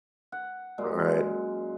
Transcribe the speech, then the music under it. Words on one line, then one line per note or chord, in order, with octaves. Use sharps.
All right.
F#5
F#2 A#2 G#3